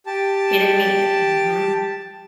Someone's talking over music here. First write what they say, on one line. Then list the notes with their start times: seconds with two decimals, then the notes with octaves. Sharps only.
He didn't mean it. Mhm.
0.06 G4 A5